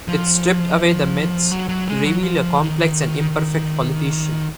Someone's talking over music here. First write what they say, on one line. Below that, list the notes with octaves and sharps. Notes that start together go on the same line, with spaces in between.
It stripped away the myths, to reveal a complex and imperfect politician.
F3
F#3
F#3
G#3
F#3
F3
D#3